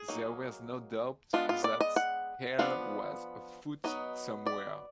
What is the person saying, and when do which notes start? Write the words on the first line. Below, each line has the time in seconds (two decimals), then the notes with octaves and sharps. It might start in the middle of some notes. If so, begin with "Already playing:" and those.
There was no doubt that hell was afoot somewhere.
Already playing: G#4
0.08 F#3 A#3 D#4
1.33 G#3 B3 D4 F4
1.49 F4
1.64 D5
1.81 D#5
1.96 F#5
2.59 F3 B3 D4 F5
3.84 F#3 B3 D#4 D#5
4.46 D5